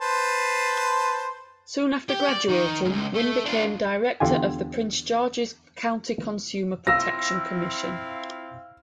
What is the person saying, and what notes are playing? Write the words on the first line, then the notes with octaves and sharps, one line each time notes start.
Soon after graduating, Wynn became director of the Prince George's County Consumer Protection Commission.
B4 C5 A5
G4
D5
D#3
C#2 G2
A3
D4 F4
E2 D3 F4 G4 G#5
C4 E4 F4 F5 E6 A#6